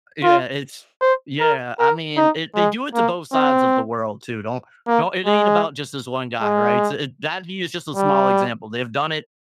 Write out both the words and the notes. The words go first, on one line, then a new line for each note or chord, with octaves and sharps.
Y yeah, it's yeah, I mean, it they do it to both sides of the world, too. Don't don't it ain't about just this one guy, right? So, that he is just a small example, they've done it
F4
C5
A#4
A#4
D#4
G#3
A#3
C4
A#3
G#3
G#3
G3